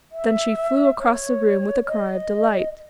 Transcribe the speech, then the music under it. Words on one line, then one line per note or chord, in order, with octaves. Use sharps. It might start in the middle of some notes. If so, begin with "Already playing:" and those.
Then she flew across the room with a cry of delight.
E5
C#5
D#5